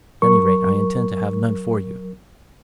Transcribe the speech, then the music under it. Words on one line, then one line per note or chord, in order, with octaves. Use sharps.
At any rate, I intend to have none for you.
F#3 A#4 C#6